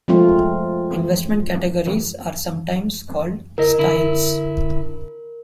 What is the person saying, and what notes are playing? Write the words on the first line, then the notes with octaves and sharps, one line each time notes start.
Investment categories are sometimes called "styles".
F3 G#3 A3 C4 F4
D2 E4 A#4 D#5
D3 E4